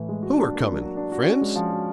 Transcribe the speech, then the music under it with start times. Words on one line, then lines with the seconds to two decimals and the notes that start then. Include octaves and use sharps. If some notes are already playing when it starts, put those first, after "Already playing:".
'Who are coming--friends?'
Already playing: A2 E3
0.09 G#3
0.23 F#4
0.38 D4
0.53 A#3
0.67 F#3
0.82 F#4
0.97 D4
1.12 F#4
1.26 C#4
1.41 G#3
1.56 F3
1.71 F#4